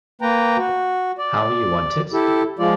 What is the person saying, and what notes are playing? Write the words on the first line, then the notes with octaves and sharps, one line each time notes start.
How You Want It?
A#3 B4 G5 A#5
F#4
D5
E4 G4 A4
F3 G#3 F4 D5